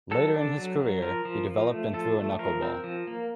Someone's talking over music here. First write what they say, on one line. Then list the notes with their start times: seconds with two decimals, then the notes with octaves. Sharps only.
Later in his career, he developed and threw a knuckleball.
0.11 F#3 A4
0.34 D4
0.57 F#3
0.80 F#3
1.02 F3 A#4
1.25 F3
1.48 F3
1.71 A3
1.93 F3 A4
2.17 A3
2.39 F3 A#4
2.62 C4
2.84 F3
3.07 A#3